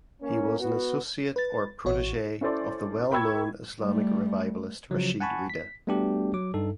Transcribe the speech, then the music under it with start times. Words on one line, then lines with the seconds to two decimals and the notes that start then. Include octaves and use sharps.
He was an "associate" or "protege" of the well known Islamic revivalist Rashid Rida.
0.21 A#3 C#4
0.58 B3 F#4
1.36 B4 A6
1.85 A1 F#4 C#5
2.41 C#4 E4 A4 C5 D5 C6
3.11 A#4 G5 B5 C#6 E6 G#6
3.80 G3 A3
4.91 C#3 F3 F#3
5.20 F#5 G#5 A5 B5 C#6
5.50 B6
5.87 G3 A3 B3 D4 F#4 G4
6.33 F#3 D6
6.54 G2 D#4 A4